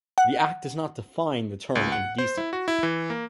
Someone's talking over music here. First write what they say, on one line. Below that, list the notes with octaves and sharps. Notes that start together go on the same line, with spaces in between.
The Act does not define the term 'indecent'.
F#5
C#2
F#5
C5
E4
F#4
E4
E3
A#3